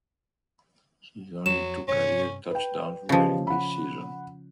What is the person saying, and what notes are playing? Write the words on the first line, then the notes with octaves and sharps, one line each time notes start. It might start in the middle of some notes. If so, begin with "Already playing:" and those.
His only two career touchdowns were in this season.
F2 F#3 E7
G2 C3 C#4 C#5
B4 G5
C#3 F3 G4 B4 D#5
F#5 B5